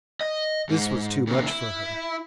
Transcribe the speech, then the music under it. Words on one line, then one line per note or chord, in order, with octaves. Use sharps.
This was too much for her.
D#5
G#2
A#2 C#3
E4